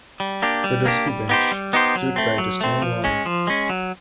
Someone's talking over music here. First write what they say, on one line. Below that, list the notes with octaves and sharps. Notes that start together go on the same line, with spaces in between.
The dusty bench stood by the stone wall.
G3
A#3 D4 G4
G3
A#3 D4 G4
G3
B3 D#4 G4 C5
G3
B3 D#4 G4 C5
F#3
A3 C4
F#3
A3 C4
F3
G#3 C#4
F3
G#3 C#4
F#3